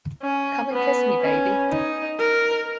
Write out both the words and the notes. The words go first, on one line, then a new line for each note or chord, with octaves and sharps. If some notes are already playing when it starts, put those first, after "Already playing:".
Come and kiss me, baby.
C#4
B3
C#4
D#4
A#4